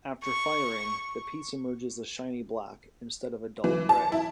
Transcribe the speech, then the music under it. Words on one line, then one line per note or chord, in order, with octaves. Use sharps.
After firing, the piece emerges a shiny black instead of a dull gray.
C#6
E3
A5
E4